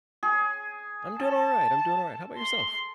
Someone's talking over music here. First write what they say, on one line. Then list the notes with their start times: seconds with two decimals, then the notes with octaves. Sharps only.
I'm doing alright, I'm doing alright, how 'bout yourself?
0.23 G#4
1.19 A4 A5
2.38 C6